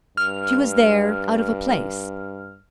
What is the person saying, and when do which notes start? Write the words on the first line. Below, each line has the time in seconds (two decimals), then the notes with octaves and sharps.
She was there, out of a place.
0.17 G2 F6